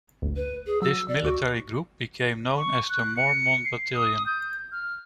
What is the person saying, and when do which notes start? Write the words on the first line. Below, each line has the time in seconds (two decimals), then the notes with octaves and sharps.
This military group became known as the Mormon Battalion.
0.22 G1 D2
0.36 B4
0.67 G#4
0.82 F#3 E6
1.08 D5
1.23 D2 F#4 D6
2.57 C#6
2.90 F#6
3.17 C#7
3.65 C7
3.95 D#6
4.26 G6
4.72 F6